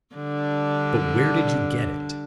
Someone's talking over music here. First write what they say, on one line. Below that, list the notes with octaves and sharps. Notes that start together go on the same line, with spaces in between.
"But where did you get it?"
D3 G3 D4